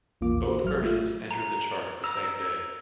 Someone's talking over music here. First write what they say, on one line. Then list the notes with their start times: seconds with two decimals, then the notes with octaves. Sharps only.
Both versions entered the chart the same day.
0.21 A#1 E2 A#3 F4 D6
0.45 F#4 C5
0.64 G#1 F#3 E5 F6
0.82 A3 F4
1.31 A#5
2.04 A#5 E6